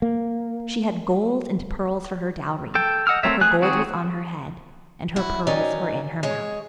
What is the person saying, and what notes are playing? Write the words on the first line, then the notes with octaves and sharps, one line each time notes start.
She had gold and pearls for her dowry; but her gold was on her head, and her pearls were in her mouth.
A#3
A4 G5
D#5 F#5 E6 F6
A3 C4 A#4 C#5 E5
A3 G#4 G#5 F#6
D#3 F#3 C4 F#4 G#4
E4 F#4
D#3 F#3 C#4 D#4 D5
G#3 C#5